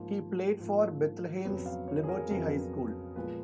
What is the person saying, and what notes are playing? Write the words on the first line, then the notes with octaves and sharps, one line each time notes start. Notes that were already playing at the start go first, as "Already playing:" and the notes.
He played for Bethlehem's Liberty High School.
Already playing: G#2 F3 A#3
G#2 F3 A#3
F2 C#3 F#3 B3 C#5
F5
C#5
G#4
A#4
F2 C#3 F#3 B3 A#4
A#2 F3 G#3 B3 B4